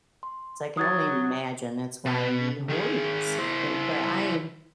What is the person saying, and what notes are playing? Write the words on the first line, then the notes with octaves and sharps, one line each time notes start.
So I can only imagine that's why he hoards. And but I am
C6
F#3 D#6 G#6 A6
B2
D#3 G#4
E4 C5